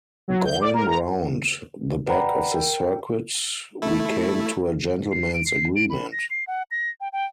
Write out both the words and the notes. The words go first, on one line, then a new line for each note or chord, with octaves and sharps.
Going round the back of the circuit we came to a gentleman's agreement.
F#3
G6
D5
A#4
A#5
B4 D5 F#5 G5 A#5 B5
A#4 G5
A3 E4
C7
D7
C7
D7
B5
A#6
C7
F#5
A#6
G5
G5